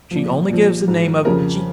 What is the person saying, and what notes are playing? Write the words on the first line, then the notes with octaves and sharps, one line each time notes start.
She only gives the name of 'G.
A#2 F3
A#2 F3
G#2 F3
F2 C#3 F3 A#4